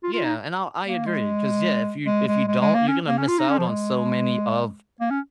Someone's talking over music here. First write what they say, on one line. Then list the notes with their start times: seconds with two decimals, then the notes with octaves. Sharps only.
Yeah, and I'll I agree 'cause, yeah, if you if you don't, you're gonna miss out on so many of
0.03 F4
0.13 F4
0.24 D#4
0.84 A#3
1.06 G#3
2.06 G#3
2.27 G#3
2.47 G#3
2.60 G#3
2.74 A#3
2.88 C#4
3.07 A#3
3.18 C#4
3.28 F4
3.38 D#4
3.49 C#4
3.58 F3
3.68 G#3
5.01 A#3
5.10 C#4